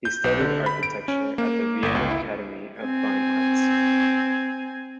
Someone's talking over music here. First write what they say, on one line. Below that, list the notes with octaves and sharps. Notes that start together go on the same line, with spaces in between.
He studied architecture at the Vienna Academy of Fine Arts.
G6
B1
D3
B5
D7
C#4
A#3
G1
C#2
E4
C4 G#5